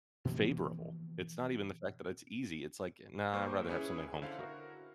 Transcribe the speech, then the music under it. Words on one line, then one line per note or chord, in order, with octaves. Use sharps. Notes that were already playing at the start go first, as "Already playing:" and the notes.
favorable. It's not even the fact that it's easy. It's like, "Nah, I'd rather have something home cooked."
B2 E3 F3 A#3
B1 G2 A#3 C5 C#6 D6
C#4 E4 G#4 B4 C#5
D3 E4 C5 F5
F#4 A#4